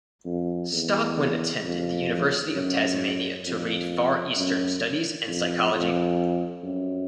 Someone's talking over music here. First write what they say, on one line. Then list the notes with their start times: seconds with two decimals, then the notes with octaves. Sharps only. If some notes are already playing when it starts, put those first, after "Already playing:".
Stockwin attended the University of Tasmania to read Far Eastern studies and psychology.
0.25 F2
0.71 E2
1.62 F2
2.53 F#2
3.44 F2
4.36 F#2
5.27 F2
5.72 F2
6.63 F#2